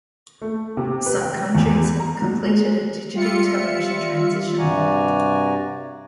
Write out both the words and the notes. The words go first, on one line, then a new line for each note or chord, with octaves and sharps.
Some countries have completed a Digital television transition.
A3
C3
B4
G5
E2
A#5
F#3
G#3
G3 F4 E5 C#7
G2 C3 F#4 D5 G#5 A#5